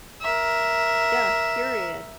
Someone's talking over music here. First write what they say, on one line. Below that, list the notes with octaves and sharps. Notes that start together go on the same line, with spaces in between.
Yeah, period.
A#4 E5